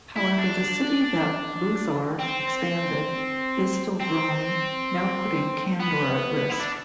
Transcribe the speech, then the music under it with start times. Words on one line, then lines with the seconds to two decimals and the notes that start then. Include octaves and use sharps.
However the city that Luthor expanded is still growing, now putting Kandor at risk.
0.16 E4
0.38 D4
2.19 C4
4.00 C4
5.80 B3
6.50 E4
6.60 D4